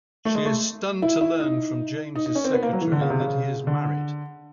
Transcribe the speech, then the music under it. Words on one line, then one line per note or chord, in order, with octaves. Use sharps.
She is stunned to learn from James' secretary that he is married.
A3
G#3
A3
E4
E4
D#4
D#4
D#4
C#4
C4
B3
A#3
F#3
E3
D3
C#3
C3
C#3
D3